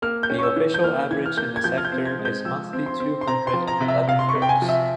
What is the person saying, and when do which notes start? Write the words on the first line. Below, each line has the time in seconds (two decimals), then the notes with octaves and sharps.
The official average in the sector is monthly two hundred and eleven Euros.
0.02 A#3 F6
0.23 G6
0.30 C#4
0.39 C#6
0.43 E6
0.56 E3
0.74 G6
0.84 A#3 F6
1.11 E3 G#6
1.26 F6
1.37 A#3 G6
1.56 G#6
1.64 F3 G6
1.78 F6
1.85 G6
1.92 C4
2.05 G#6
2.19 G#3
2.25 G6
2.45 F3 E6
2.73 C4
2.86 C6
3.00 C4
3.21 C6
3.27 C4 A#5
3.47 C6
3.54 F3
3.67 A#5
3.81 C3
3.88 E5
4.07 C3 F5
4.19 C6
4.29 C#6
4.35 C3
4.42 G5
4.49 G#5
4.62 F3
4.69 E5